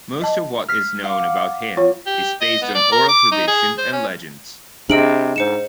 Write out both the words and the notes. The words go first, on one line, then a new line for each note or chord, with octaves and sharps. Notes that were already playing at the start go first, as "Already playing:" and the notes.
Most of what is known about him is based on oral tradition and legends.
D#5 A5
F6 B6 C7
F5 F#5 D6
F4 C#5
G4
D#5
B3
D5
A#4
D6
D#4
G#4
C5
C#4
C3 D4 G#4 D#5 D7 F#7
G#2 C5 C#7 E7